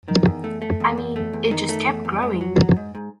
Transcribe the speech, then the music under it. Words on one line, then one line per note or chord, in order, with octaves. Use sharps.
I mean, it just kept growing!
D#3
E2
A3
A3
E2
E2
A3
E2
D#3
A3
E2
E2
G#2
F#3
F#3
G#2
G#2